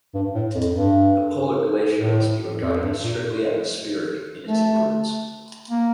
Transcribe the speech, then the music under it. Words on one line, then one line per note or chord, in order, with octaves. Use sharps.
The Polar glacier must be regarded as strictly atmospheric in its increments.
G2
A2
F2
G2
A2
F2
G2
A#2
A3
A#3